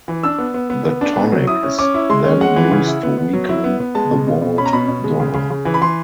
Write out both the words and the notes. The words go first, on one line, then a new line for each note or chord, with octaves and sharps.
The tonic is then used to weaken the vault door.
E3
D4 E6
B3
B3
B3
B3
D4
B3
F#3
E4 D#6
C#4
C#4 D6
E4
G#3 C6
C#4
G#3 F#5
E3
C#3
E4
B3
B3
F#3
E4
B3
B3
G#3 A5
B2
B2
B2
C#4 B5
A#5
B2 B5
B2
G#3
C#3
C#3
C#3
E3
B5
E3 C6